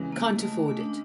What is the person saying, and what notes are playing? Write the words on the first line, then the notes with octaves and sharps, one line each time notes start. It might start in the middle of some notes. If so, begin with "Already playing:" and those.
Can't afford it.
Already playing: C#3 E3 G#3
A#3
A3
A3
A3
D4